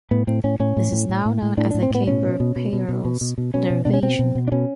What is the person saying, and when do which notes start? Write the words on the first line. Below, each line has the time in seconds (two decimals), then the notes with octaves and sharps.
This is now known as the Kapur-Peierls derivation.
0.11 A2 B3
0.27 A2 C4
0.44 A2 C#4
0.60 A2 C#4
0.77 A2
0.92 A2
1.09 A2
1.25 A2
1.42 A2
1.57 A2 D4
1.71 D4
1.74 A2
1.82 C4
1.90 A2 B3
2.07 B2 C#4
2.23 B2
2.40 B2
2.56 B2
2.73 B2
2.89 B2
3.05 B2
3.21 B2
3.38 B2
3.54 B2 C#4
3.70 B2
3.85 B2 D4
3.93 C#4
4.03 B2 C4
4.19 B2
4.35 B2
4.48 D4
4.52 B2 C#4